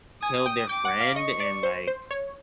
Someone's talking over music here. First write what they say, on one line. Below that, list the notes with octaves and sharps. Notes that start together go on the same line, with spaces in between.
killed their friend and, like,
G#5 D#6
G5
G5 D6
F#5
F5
D#5 C#6
D5
C5
C5
C#5